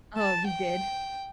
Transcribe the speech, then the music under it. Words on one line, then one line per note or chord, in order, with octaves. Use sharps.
Oh, we did.
A5
G5